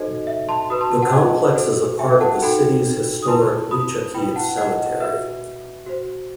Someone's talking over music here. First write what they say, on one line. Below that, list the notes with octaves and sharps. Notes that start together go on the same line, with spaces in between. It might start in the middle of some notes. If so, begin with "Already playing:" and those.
The complex is a part of the city's historic Lychakiv Cemetery.
Already playing: D#4 F#4 A4 C5 D#5
E5
A5 C6
F#4 B4 B5 D#6
A5 C6
A5 C6
F#5 A5
D#5
F#4 A4 C5
E5 G5
F#5 A5
D#4 F#4 A4 G5 B5
D#6
E4 B4 A5 C6
B5 D#6
E4 B4 G5 B5
F#5 A5
D#5 F#5
F#4 B4 E5
F#4 C5